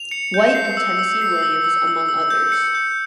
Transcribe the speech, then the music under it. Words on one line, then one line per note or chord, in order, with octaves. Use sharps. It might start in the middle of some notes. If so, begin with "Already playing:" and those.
White, and Tennessee Williams, among others.
Already playing: F7
C#7
G6
C7
E6
E6
C7
E6
E6
E6
E6
G6
C#7
G6